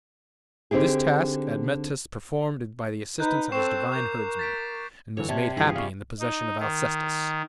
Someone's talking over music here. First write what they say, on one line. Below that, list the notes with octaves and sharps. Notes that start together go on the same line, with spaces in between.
This task Admetus performed by the assistance of his divine herdsman, and was made happy in the possession of Alcestis.
D3 C4 D#4 G4 G#4
D#4 B4 F#6 G6
C4 A4 C#6 C7 E7
A#4 D6 G6
A6 B6 D7
G2 D3 E3 C#5
C3 D5 A5 G#6
G2 E3 F4 G#4
G3 F5 C#6
D#4
D#3